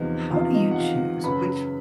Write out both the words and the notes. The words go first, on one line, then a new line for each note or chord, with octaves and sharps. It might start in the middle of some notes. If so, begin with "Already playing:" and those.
how do you choose which
Already playing: E2 C3 F3 D#4
E2 C3 F3 F4 F5
D#4 D#5
F#5
F4 F5
F#2 C#3 F#3 B4 B5